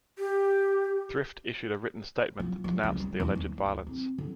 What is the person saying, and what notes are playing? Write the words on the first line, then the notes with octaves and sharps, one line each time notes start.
Thrift issued a written statement that denounced the alleged violence.
G4
F3
F3
C#2
G3
E2
D#2
D2
C4
D3